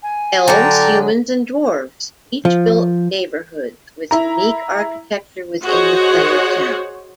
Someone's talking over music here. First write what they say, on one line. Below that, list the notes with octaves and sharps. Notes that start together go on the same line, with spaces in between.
Elves, humans and dwarves each built neighborhoods with unique architecture within the player's town.
G#5
D3 F#3 D5 G5 A#5
F3
E4 A#5
F#4 G#4 C5 C#5 D#5 F#5